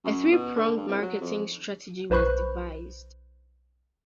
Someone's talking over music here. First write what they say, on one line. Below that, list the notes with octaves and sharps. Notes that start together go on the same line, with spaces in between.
A three-pronged marketing strategy was devised.
F#2
B2
D3
G2
C2
F#3
F2
B1 B4 C5 B5 C#6 F#6